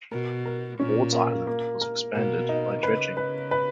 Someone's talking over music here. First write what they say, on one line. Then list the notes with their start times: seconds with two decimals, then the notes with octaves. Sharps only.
Ward's Island was expanded by dredging.
0.11 B2 A#4
0.46 A#4
0.79 A#2 C#4
1.13 A#3
1.47 A#3
1.81 A#4
2.14 B2 A#3
2.49 D#4
2.83 C#3 B4
3.17 B4
3.51 B4